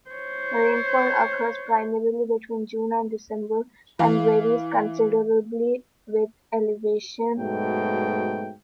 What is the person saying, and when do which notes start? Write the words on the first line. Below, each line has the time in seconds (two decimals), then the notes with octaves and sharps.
Rainfall occurs primarily between June and December and varies considerably with elevation.
0.10 C5 C#5
3.99 E3 F5
7.36 G#2 B2 F#3 A3 G5